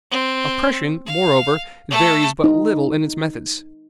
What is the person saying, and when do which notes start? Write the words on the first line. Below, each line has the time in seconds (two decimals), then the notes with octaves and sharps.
Oppression, moreover, varies but little in its methods.
0.11 C4
1.06 F5
1.91 A3 A4
2.44 D#4